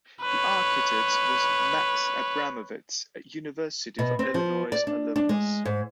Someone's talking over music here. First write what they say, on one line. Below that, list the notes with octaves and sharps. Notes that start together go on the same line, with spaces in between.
The architect was Max Abramovitz, a University of Illinois alumnus.
B4 C#5
B2
C4
F3
D5
D4
D4
G#3
G#2